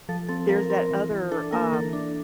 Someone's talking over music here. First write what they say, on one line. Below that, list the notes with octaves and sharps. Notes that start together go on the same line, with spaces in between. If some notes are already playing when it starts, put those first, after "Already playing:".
there's that other, um
F3 A4
C4 A4
F3 A#4
C4 A#4
E3
E3
D4 A4
A#3 A#4
E3 A4
D4